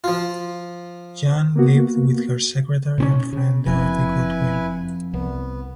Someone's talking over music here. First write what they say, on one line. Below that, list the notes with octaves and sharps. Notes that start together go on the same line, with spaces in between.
Jean lived with her secretary and friend Dorothy Goodwin.
F3 F4
A#3 B3 F#4
B2 C4 C#4
C#3
F#1 F2 E4 B4 G#5
C2 B3